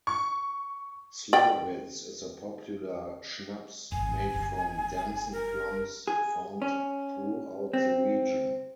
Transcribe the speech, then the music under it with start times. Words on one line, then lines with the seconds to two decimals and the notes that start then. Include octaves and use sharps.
Slivovitz is a popular schnapps made from Damson plums found throughout the region.
0.07 C#6
1.33 D5 G5
3.92 D#1 G#1 G#5
4.34 F#1
5.32 A#4
6.08 G#4
6.62 C#4
7.73 C4